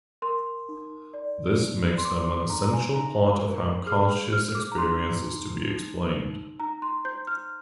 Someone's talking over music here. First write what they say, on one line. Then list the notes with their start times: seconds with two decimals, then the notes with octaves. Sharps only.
This makes them an essential part of how conscious experience is to be explained.
0.22 A#4 C6
0.69 D#4
1.14 D5
1.59 D#4
1.98 C6
2.05 D5 D6
2.27 C6
2.50 D#4 A#5
2.64 A#5
2.73 G#5
2.96 D#4 A#5
3.41 A#4
3.86 G#4 F6
4.32 C5 F6
4.55 D6
4.72 A#5
4.77 D#4 C6
5.22 D#4
5.69 D#4
6.13 D#4
6.60 D#4 A#5
6.82 C6
7.05 C5 G6
7.27 F6